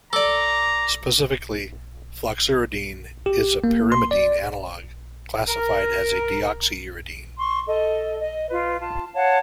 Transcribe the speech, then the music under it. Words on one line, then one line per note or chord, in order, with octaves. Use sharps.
Specifically, floxuridine is a pyrimidine analog, classified as a deoxyuridine.
A4 D5 A#5 D6
G4
A#3
C6
D5
A#4
C6 C#6
A4 D#5
D#5
F4 B4
F4 A5
C#5 F5 F#5 A5